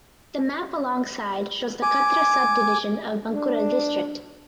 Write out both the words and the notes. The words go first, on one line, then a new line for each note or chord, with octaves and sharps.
The map alongside shows the Khatra subdivision of Bankura district.
G#5 D6
D4